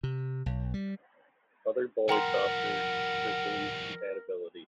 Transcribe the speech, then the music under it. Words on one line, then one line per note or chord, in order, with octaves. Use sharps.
Other boards offered Hercules compatibility.
C3
B1
G3
F3 G3 A#4 F#5 G5 A#5 C6